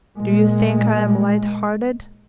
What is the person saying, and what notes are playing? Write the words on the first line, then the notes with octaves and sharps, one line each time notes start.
Do you think I'm light-hearted?
A#2 G#3